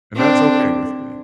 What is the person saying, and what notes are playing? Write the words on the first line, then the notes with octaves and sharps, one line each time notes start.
and that's okay with me.
C4 D4